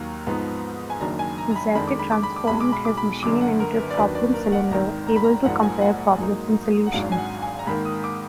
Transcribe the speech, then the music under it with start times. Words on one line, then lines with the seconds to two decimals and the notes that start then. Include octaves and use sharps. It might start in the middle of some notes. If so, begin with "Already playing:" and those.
Zerte transformed this machine into a problem cylinder able to compare problems and solutions.
Already playing: D#2 D#3 F#3 A#5
0.27 G#2 F3 B3 D#4
0.90 G#5
1.00 F#1 F#2 D#3 F#3 D4 A#5
1.19 G#5
1.38 A#5
1.51 A#5
1.56 B5
1.75 F2 D#3 G#3 D4 B5
1.88 D6
1.99 B5
2.12 D6
2.23 B5
2.36 D6
2.47 B1 B2 G#3 B5
2.61 D6
2.72 B5
2.85 D6
2.97 B5
3.23 F#1 F#2 D3 D6
3.41 F#5
3.60 A#4
3.78 B4
3.90 D5
3.97 D#2 D#3 F#3 D4 B4
4.15 D5
4.34 A#4
4.52 F#5
4.71 G#1 G#2 D#3 A#5
5.07 A#5
5.16 B5
5.24 A#5
5.44 A#1 G#2 F3 A#3 F#5
5.63 G#5
5.81 F#5
6.18 G#2 F#3 A#3 D#4
6.87 F#5
6.92 G#1 G#2 F#3 D4 F5
7.12 G#5
7.18 F#5
7.42 G#5
7.59 A#5
7.67 G#2 D#3 A#3 B5
7.85 D#6
8.04 D6